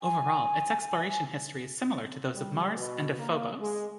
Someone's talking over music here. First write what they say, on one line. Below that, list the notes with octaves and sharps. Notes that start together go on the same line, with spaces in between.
Overall, its exploration history is similar to those of Mars and of Phobos.
G#5
G3
B2
A#3
G#3